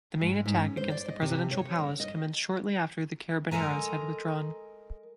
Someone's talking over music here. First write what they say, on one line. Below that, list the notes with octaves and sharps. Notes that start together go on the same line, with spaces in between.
The main attack against the presidential palace commenced shortly after the carabineros had withdrawn.
G#2
G#2
C#4
C5
D5
D#5
C3
C#5
A#4
D#5
G#3 A4 A#4 G#5 A#5